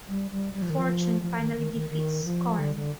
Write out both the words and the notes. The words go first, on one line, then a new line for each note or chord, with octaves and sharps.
Fortune finally defeats Scarn.
G3
G3
G3
F3
D#3
F3
F3
D#3
D#3
D#3
D#3
F3
D3
D3